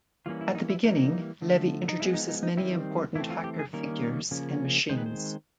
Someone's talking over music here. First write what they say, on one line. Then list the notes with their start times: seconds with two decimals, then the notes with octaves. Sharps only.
At the beginning, Levy introduces many important hacker figures and machines.
0.26 E3 G3 A#3 C#4 F4
0.41 E4
0.55 D#4
0.70 E4
0.84 E3 G3 A#3 D#4
1.42 D3 F3 A3
1.89 D#4
1.99 F3 G#3 B3 E4
2.14 D#4
2.29 D#4
2.43 D#4
2.57 D#3 G3 C4 E4
3.15 E3 A3 C4 E4
3.30 F4
3.44 G4
3.59 G#4
3.73 D#3 G3 A#3 C#4 A#4
4.31 C#3 F3 A#3 C#4
4.89 D#3 G#3 C4 C5
4.97 B4
5.06 C5